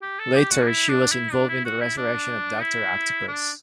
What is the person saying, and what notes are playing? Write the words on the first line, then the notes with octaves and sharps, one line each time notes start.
Later, she was involved in the resurrection of Doctor Octopus.
G4
A4
G4
F#4
D4
E4
D4
E4
D4
E4
F#4
E4
D4
E4
D4